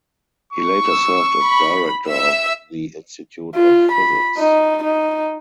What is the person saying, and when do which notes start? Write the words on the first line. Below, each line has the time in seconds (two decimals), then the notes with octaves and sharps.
He later served as director of the Institute of Physics.
0.53 C#6
0.85 E6
1.43 B5
2.09 E5 E6
3.55 F4
3.92 B5
4.38 D#4
4.84 D#4